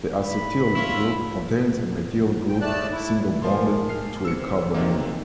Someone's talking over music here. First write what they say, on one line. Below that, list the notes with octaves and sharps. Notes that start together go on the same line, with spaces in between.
The acetyl group contains a methyl group single-bonded to a carbonyl.
B5
E4 F4 C#5 E5
G5
D#2 A3 D5 A5 F#6
E4
A#2 F3 G#3 A#3 A#4 C6
F6 C7
C4 E6 C#7
C3 D#3 A3 A#3 D#4 F#4